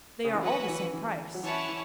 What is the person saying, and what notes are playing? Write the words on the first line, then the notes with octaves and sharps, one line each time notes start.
"They are all the same price."
C#3
E3
F#3 C#4 F#4 B4 F#5
E3
E3
F#3
E3 C#4 E4 C#5 F#5 A5
E3